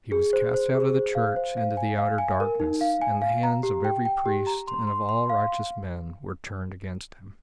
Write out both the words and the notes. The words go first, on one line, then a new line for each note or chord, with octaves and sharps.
He was cast out of the Church into the outer darkness, and the hands of every priest and of all righteous men were turned against him.
G#4
C5
C5
G#4
C5
F5
C5
F5
G#5
F5
G#5
A#4
D#4
F5
G#5
F5
A#5
G4
G5
G5
G4
A#5
C6
C6
C6
F5